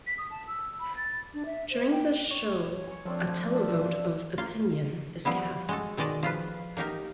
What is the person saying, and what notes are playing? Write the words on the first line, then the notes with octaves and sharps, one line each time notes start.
During the show a televote of opinion is cast.
B6
D#6
A5
E6
B5
A6
D4
E5
C5
G5
C#5
G#5 C#6
F3 A3 C4 D4
D4 F4 E5
A#3 F4
F3 G3 B3 E4
G#3 F#4 A4
B2 D#3 G#3 D5 D#5 A5
F3 F4 B4
A#3 D#4 G4 A#4